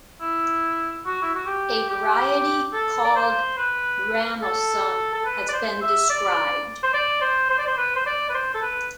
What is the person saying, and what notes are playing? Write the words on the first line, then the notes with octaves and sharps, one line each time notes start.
A variety called "Ramosum" has been described.
E4
F#4
E4
F#4
G4
G4
A4
D5
C5
B4
A4
A4
B4
D5
C5
E5
D5
C5
D5
C5
C5
D5
C5
B4
C5
D5
B4
C5
A4
B4